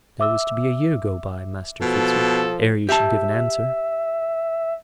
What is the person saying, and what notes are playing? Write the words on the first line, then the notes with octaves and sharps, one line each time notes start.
"There was to be a year go by, Master Fitzooth, ere you should give answer."
E5 D6 E6
B2 F3 A4
G4 E5 A5